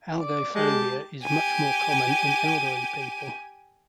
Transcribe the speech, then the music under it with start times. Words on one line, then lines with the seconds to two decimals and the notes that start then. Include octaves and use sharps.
Algophobia is much more common in elderly people.
0.20 D5
0.55 G#3 G4 A5
1.23 G4 G#5